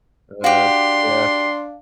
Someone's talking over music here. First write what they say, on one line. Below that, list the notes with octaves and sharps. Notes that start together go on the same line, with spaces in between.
Uh, yeah.
D4 F#4 G4 F5 C6